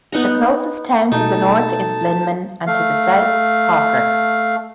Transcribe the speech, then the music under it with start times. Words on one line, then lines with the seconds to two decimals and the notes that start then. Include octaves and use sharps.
The closest town to the north is Blinman and to the south, Hawker.
0.12 B3 D#4 F#5 A#5
1.12 B2 A3 D#4 A5
2.67 A3 F5